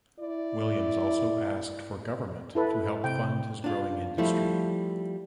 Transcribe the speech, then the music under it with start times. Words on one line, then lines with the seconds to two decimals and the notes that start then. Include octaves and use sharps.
Williams also asked for government to help fund his growing industry.
0.20 E4 D5
2.55 E4 A4 B4
3.04 C3 G5
3.64 D4 F4
4.18 F3 G3 A3 E4